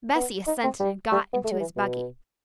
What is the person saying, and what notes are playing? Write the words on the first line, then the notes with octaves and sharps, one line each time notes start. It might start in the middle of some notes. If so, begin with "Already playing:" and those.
Bessy assented and got into his buggy.
B3
D#4
C4
G3
G3
B3
A3
F#3
E3
B2